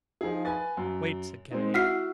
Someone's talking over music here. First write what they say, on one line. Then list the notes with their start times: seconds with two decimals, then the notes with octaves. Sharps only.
"Wait!" said Kennedy.
0.21 F3 D#4 G#4
0.45 B4 G#5 A6
0.77 F#2
1.51 G#3 C4 D#4
1.74 E4 F#4 F#5 F6 C7